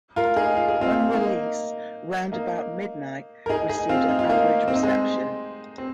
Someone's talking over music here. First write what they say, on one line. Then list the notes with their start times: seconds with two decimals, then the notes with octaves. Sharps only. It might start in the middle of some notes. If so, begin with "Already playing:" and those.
On release, "Round About Midnight" received an average reception.
0.16 F4 A#4
0.36 D#4 G#4
0.56 F4
0.69 G#4
0.81 C4 F4
1.14 A#3 D#4
2.32 A#3 D#4
3.46 A#4
3.49 D#4 G#4
3.69 D#4 G#4
3.89 C4 F4
4.09 D#4
4.19 F4
4.29 A#3 D#4
4.68 C4
4.75 D#4
4.83 G#3 C4
5.78 C4